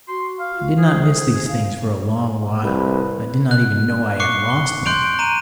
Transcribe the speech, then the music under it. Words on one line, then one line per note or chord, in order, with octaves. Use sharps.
I did not miss these things for a long while; I did not even know I had lost them.
F#4 C6
F5
F4
G#4 C5
F5
C2 B4
F#6
C#6 D6 F#6 C7 C#7
G7
C6 F#6 G6 D7 F7
A#5 D#7